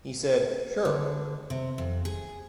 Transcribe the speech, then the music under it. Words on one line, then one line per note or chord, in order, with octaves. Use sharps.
He said, 'Sure.
D3
C3
F2
G#4